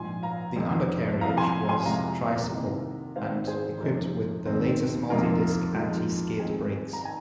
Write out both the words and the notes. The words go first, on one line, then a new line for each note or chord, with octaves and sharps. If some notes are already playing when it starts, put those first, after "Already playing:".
The undercarriage was tricycle, and equipped with the latest multi-disc, anti-skid brakes.
Already playing: A#1 G#2 F3 G#5 C6
F5 A#5
F2 F3 C4 D#4
C2 C3 F3 F5 A#5
G#5 C6
G#5 C6
F2 C3 G#3 F5 A#5
C2 C3 D#3 A#3 D#4
G#1 G#2 D#3 C4 C5 F5
G#4 C5
F2 C3 F3 A#3 D#4
D#2 D#3 C4 D#4
F2 C3 F3 A#3 D#4 F4 A#4
F2 F3 G#3 D#4
G#2 D#3 C4 D#4 G#4
A#5
D#4 G#5